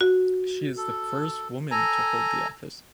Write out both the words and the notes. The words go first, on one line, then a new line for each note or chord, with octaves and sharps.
She is the first woman to hold the office.
F#4
A4
A4 G#5 A#5